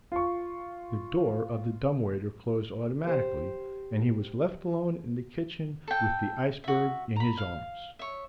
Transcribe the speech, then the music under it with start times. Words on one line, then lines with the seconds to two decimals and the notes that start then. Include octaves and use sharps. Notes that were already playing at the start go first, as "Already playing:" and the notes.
The door of the dumb-waiter closed automatically, and he was left alone in the kitchen with the iceberg in his arms.
0.12 F4 C#6
3.04 G4 C5
5.88 A4 G5
6.64 F#4 E5
7.16 A#5 B5
7.37 F5
7.99 C#5 E5